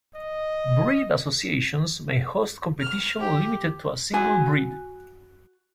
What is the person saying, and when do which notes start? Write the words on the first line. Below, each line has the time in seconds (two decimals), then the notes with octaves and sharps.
Breed associations may host competition limited to a single breed.
0.15 D#5
2.81 F6
3.19 G4
4.14 F#4 G#5